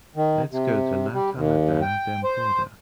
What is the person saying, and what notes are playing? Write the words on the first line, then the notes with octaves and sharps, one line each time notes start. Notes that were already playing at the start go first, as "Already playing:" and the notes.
Let’s go to La Tallada d'Empordà.
D#3
C3
G3
D#2
G5
C5